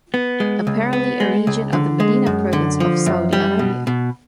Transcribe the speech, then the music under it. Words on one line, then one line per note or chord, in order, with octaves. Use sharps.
Apparently a region of the Medina Province of Saudi Arabia.
B3
G#3
C#2
B3
G#3
C#2
D3
G#3
F#2
D3
F3
F#2
G3
B2
B2